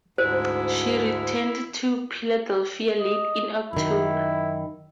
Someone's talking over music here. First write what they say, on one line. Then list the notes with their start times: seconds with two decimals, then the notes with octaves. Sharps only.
She returned to Philadelphia late in October.
0.18 D2 G#2 E4 C5
3.01 D#5
3.73 F#2 D#3 E4